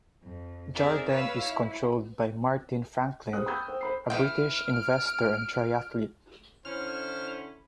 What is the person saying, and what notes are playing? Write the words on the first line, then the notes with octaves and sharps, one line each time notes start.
Jarden is controlled by Martin Franklin, a British investor and triathlete.
F2
C4 G#4 A#4 D5 E5
B4 C#5 F5 E6
E4
G4 G#4 B4 C5 D#6 F#6
G5 B5 C#6 D#6 E6 G6
C5 G5
C5 B5 C7
E3 G5 F6 D7
D3 C#4 E4 C5 F6